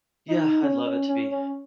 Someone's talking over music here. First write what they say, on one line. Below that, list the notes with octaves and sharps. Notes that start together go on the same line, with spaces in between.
Yeah, I'd love it to be
D#4
C#4
C#4
C#4
C#4